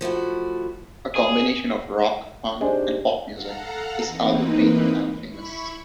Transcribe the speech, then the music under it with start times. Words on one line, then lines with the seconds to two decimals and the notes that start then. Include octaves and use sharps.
A combination of rock, punk and pop music, this album made the band famous.
0.01 F3 A3 E4 F#4
1.15 G#4
2.61 C3 G#3 D4 D#4 G4 C5
3.31 A4 F5 F#5 A#5
4.05 E3 A#3 C4 D#4 B4
5.27 E4 B5 C#6